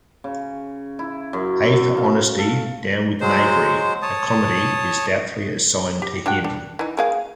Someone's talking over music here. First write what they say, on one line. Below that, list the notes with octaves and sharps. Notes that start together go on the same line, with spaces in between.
"Hey for Honesty, down with Knavery", a comedy, is doubtfully assigned to him.
C#3
E4
F#2
E5
F5
A4
F#3 G#3 C5
C#5 A5 D#6
G4
D4 F#4 G5
D4
E3 D#4
A#3 G#4 F5